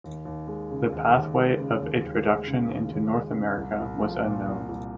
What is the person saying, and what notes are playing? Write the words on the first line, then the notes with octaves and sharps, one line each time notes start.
The pathway of introduction into North America was unknown.
D#2
D#2
G#3
C#3
D#2
D#2
G#3
C#3
D#2
D#2
G#3
C#3
D#2
D#2
G#3
C#3
C2
C2
F3
A#2
C2
C2